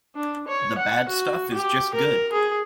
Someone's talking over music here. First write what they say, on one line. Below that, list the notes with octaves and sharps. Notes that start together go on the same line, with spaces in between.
The bad stuff is just good.
D4
C#5
F#5
F#4
G4
A#4
G#4